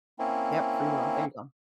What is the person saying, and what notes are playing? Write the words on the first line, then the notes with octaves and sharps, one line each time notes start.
Yep, free will, there you go.
A#3 C4 C#4 E4